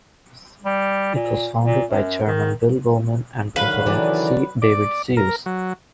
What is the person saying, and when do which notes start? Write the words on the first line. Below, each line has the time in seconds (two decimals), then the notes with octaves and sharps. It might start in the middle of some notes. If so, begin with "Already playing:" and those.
It was founded by chairman Bill Bowman and president C. David Seuss.
0.65 G3
1.15 A#2
1.65 A#2
1.90 F#2
2.27 D#3
3.56 D3 D#3 F#3 B4 F5
3.86 C#3 E3 D5
4.62 D5
5.17 A#4
5.46 F#3